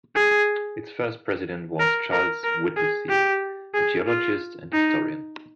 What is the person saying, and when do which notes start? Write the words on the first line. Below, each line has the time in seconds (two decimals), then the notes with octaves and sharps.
Its first president was Charles Whittlesey, "a geologist and historian".
0.15 G#4
1.79 A#4
2.12 A#4
2.43 A#4
2.76 G#4
3.09 G4
3.74 G#4
4.07 F4
4.72 D#4